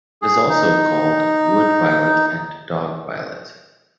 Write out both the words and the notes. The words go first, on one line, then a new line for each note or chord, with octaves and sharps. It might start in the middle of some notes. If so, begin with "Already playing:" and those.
It is also called wood violet and dog violet.
G#4
D#4